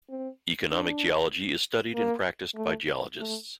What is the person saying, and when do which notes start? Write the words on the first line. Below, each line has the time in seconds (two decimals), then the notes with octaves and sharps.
Economic geology is studied and practiced by geologists.
0.09 C4
0.71 D4
1.95 A#3
2.55 A3
3.17 A3